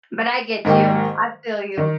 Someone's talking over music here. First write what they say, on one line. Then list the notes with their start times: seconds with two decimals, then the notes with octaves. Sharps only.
But I get you, I feel you.
0.65 G#2 D#3 A#3 D#4 G4
1.78 D#3